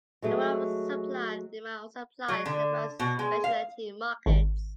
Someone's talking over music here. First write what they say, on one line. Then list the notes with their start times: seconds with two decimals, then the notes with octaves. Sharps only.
The model of supply and demand also applies to various specialty markets.
0.22 F#3 G#3 A3
2.28 F#3
2.46 D3
2.99 B2
3.19 G#3
3.44 F5
4.26 G#1